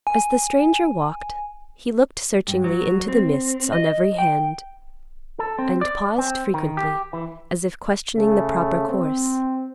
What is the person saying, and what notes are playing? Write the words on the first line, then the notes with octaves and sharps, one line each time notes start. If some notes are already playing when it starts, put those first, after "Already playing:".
As the stranger walked, he looked searchingly into the mists on every hand, and paused frequently as if questioning the proper course.
G#5
G2
F#3
C4
D#5
G5
A4
C4
D5
C4
D#3
G4
E3
C#3 A3
C4